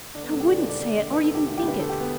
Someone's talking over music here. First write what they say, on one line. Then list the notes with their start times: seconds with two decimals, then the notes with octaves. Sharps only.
I wouldn't say it, or even think it.
0.14 D3 D4
0.23 B3
0.31 E1 A4
0.40 G4
0.48 D3 D5
0.59 B4
0.64 E1 D5
0.81 E1 D5
0.97 D3
1.13 D3 B4
1.24 A4
1.29 E1
1.35 G4
1.47 D2 E4
1.58 G4
1.62 D2
1.68 B4
1.79 D3 A4
1.89 G4
2.00 B3